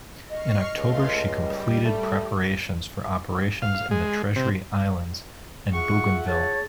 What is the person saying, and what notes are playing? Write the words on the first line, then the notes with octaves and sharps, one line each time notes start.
In October, she completed preparations for operations in the Treasury Islands and Bougainville.
D#5 C#6 F6 C7
C#2 A3 F5 C6
G3
A3
F5
G#3
C3
F4 G#4 E5 F#5 C#6
G#4 C#5 A5